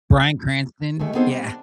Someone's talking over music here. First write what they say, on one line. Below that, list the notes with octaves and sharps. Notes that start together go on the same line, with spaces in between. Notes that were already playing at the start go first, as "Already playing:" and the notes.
Bryan Cranston? Yeah,
D#2 D#3 G#3 A3
B3 C4 D#4 G#4 A4 C5
G3 C4
D4